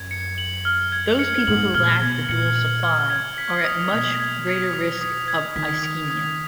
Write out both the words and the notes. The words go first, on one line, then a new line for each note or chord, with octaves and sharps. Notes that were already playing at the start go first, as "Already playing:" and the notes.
Those people who lack the dual supply are at much greater risk of ischemia.
Already playing: F#2 G#6
C#7
F#7
F6
G#6
C#7
G#2 F#7
A#2 F6
B2 G#6
A#2 C#7
F#7
F6
G#6
B6
D#6
B2 D#6
G#6
B6
D#6
D#6
G#6
D#3 B6
D#6
D#6